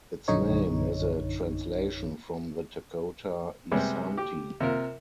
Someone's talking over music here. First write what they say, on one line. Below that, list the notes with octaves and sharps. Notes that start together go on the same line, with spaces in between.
Its name is a translation from the Dakota "Isaanti".
A#1 F#2 D3 D#4 C#5
C3 G3 G#3 B3
G4
C3 F4 A#4